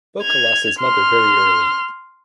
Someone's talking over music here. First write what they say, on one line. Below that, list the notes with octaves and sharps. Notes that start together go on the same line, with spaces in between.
Boka lost his mother very early.
G#6 F7
C6 F6